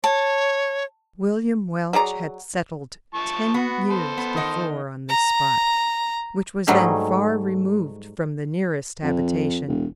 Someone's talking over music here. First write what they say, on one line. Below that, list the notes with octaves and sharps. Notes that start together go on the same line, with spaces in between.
William Welch had settled ten years before on this spot, which was then far removed from the nearest habitation.
C#5 A5
F#3 G#4 D5 A#5
F3 A5 C#6
B3 F#4
A4 C5
B3
D#3 D#5 F#5
A#5
G#2 F#3 G3 A3 D#4 G#4
F2
E1